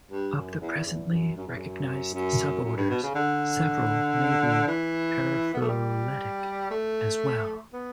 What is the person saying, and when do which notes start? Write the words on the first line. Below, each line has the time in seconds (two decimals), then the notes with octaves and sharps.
Of the presently recognized suborders, several may be paraphyletic, as well.
0.11 G2
0.36 F#2
0.61 E2
0.87 E2
1.12 F#2
1.37 F#2
1.46 E2
1.55 F#2
2.14 F#2
2.65 F#2
2.77 G2
2.90 B2
3.03 C#3
3.15 D3
4.67 E3
5.54 B3
5.61 A3
5.68 G3
6.70 A3
7.73 B3